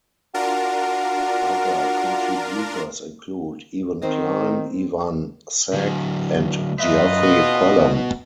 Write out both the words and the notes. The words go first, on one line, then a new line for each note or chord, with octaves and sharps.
Other contributors include Ewan Klein, Ivan Sag, and Geoffrey Pullum.
D4 F4 F#4 A#4
D#3 C4 C5 D#5
D3 F#3
F#2 F4 B4 D#5 E5
B3 F#4